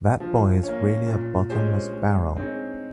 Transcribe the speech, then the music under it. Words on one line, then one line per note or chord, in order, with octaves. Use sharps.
That boy is really a bottomless barrel.
F3
A#3 C#4
A#2
G#3 C#4 G4 C5
G#3
C4 D#4 G#4 C#5